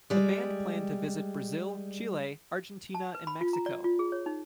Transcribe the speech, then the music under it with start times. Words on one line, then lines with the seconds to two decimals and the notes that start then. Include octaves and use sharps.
The band planned to visit Brazil, Chile, Argentina and Mexico.
0.10 G3 G#3
2.95 A5
3.15 B4
3.27 B5
3.41 F4
3.53 A#5
3.66 D5
3.84 F4
3.99 G#4
4.12 C#5
4.26 D#4